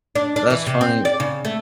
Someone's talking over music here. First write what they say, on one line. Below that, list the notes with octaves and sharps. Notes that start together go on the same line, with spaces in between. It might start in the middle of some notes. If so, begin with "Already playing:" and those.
that's funny.
D4
D4
E3
C3
C4
D5
C#3
A3